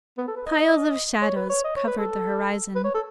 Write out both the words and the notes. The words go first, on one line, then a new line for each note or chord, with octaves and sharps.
Piles of shadows covered the horizon.
B3
A4
B4
D#5
C#5
B4
C#5
D#5
C#5
B4
A4
B4
C#5
A4